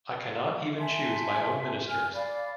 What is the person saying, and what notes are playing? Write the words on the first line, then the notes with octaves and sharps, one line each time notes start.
I cannot even choose my own ministers.
E5 G#5 A5 C6
G#5 F6
D5 F5 B5